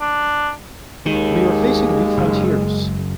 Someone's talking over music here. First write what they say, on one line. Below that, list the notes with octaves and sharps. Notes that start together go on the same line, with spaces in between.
We are facing new frontiers.
D4
D#2 D#3 G#3
F#1